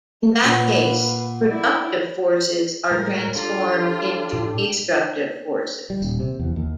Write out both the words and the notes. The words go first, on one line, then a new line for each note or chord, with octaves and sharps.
In that case, productive forces are transformed into destructive forces.
A#2 B4 F5 F#5
E4 D5
A2 G3 G#3 A#4
D4 F4 G4 A4
A2
G3
D#1
C3
E2
D#2